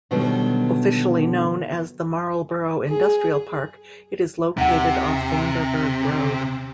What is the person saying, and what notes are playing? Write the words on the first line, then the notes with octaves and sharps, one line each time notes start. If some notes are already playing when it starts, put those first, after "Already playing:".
Officially known as the Marlboro Industrial Park, it is located off Vanderburg Road.
B2 D3 D#3 F#3 G3 B3
G#4
D#2 C3 F#5